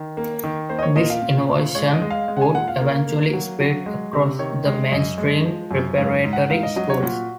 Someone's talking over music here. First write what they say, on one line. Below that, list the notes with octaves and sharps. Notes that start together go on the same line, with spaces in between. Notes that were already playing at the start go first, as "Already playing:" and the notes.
This innovation would eventually spread across the mainstream preparatory schools.
Already playing: D#3
A#3
D#3
A#3 C5
D#5
C#5
A#2 D#5
F5
A#2
A#2
G#3 C#5
D#5
G#3
F5
G#3
F#5
G#5
A#2 F#5
F5
A#3 F5
A#3
F#3
F#3
G#3
C3
D#3 C#5
G#3
F#2 D#5
G#3
F3
F#2
G#2 F5
G#2
F#5
G#2 F5
D#5
F#3 D#5
C#5
A#2 F#4